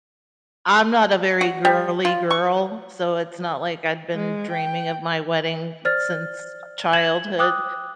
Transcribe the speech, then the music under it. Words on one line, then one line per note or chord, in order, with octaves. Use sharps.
I'm not a very girly girl, so it's not like I'd been dreaming of my wedding since childhood.
F#4
G3
F4
C#6
G#3
G5
C5 D5 F6 A6
G#6 E7 F#7
G5 D6 D#6 F#6